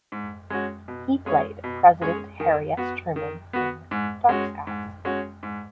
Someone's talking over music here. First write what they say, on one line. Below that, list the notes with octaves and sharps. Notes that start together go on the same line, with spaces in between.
He played President Harry S. Truman in "Dark Skies".
G#2
G#3 C#4 F#4
B2
G#3 C#4 G#4 C#5
B2
G#3 C#4 G#4 C#5
D#3
B3 F#4
D#3
B3 F#4
G#2
G#3 C#4 F#4
G#2
G#3 C#4 F#4
G#2